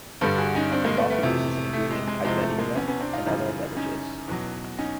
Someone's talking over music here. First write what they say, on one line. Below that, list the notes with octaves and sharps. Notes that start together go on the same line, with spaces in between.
It is often used as an ingredient in caipirinha and other beverages.
G2 D3 G3 A4 B4
F#4 G#4
C#4 D#4
C4 D4
G#3 A#3
A3 B3
A3 B3
F2 C3 E3
A3
G#3
G#3
E2 C3 F3 G#3
A3
G#3 A#3
B3 C#4
B3 C#4
C4 D4
D#4 F4
F#2 C#3 E3 G3
C#4 D#4
E2 B2 F#3
C#4 D#4